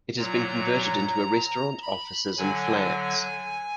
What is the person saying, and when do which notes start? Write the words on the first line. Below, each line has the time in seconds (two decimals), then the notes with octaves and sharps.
It has been converted into a restaurant, offices and flats.
0.18 A#2 F#3 A#5
1.82 B5
2.37 D3 F#3 G#5